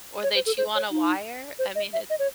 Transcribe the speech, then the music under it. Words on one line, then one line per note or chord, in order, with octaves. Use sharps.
or they chew on a wire. I mean, it's
C#5
C5
A4
C5
C#5
D#4
C5
D#5
E5
D#5
C#5